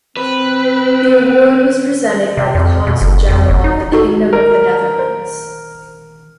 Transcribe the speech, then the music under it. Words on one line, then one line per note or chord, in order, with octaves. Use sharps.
The award was presented by the Consul General of the Kingdom of the Netherlands.
C4 B4
C3
F2
B2
F#1
F2
F#1
D#4
D#4 F#4 A4
A#4
C5